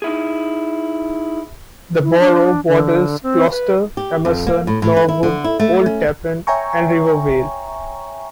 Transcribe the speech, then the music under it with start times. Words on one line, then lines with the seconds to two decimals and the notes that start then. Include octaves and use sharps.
The borough borders Closter, Emerson, Norwood, Old Tappan and River Vale.
0.02 D#4 E4 G#4
2.03 E4
2.20 D4
2.68 D3
3.23 C4
3.50 B4
3.97 G4
4.25 F2
4.47 A#3
4.67 A2
4.82 A2
4.97 B4
5.09 E4
5.23 D3
5.44 E4
5.59 A3
5.86 C#4
6.47 C#5 E5 G5 G#5 A#5 C#6